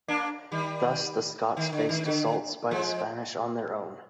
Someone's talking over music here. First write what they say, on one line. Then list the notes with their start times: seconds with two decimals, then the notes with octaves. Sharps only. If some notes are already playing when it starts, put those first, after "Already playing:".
Thus, the Scots faced assaults by the Spanish on their own.
0.08 A#3 D4
0.52 D#3 G3
1.57 D#3
1.73 D3
1.89 D#3
2.05 D3
2.71 F3 G#3